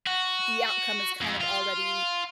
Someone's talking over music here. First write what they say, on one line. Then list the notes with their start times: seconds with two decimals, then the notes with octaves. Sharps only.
the outcome is kind of already
0.07 F#4
1.21 F2
1.41 F4